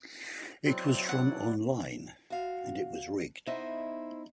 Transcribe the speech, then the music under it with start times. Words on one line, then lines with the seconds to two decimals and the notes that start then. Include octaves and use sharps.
It was from online, and it was rigged.
0.65 F#3 C4 E4 D5
1.09 F#5
2.30 F#4 F5
3.47 B3 D#4 E4 C5 D#5 E5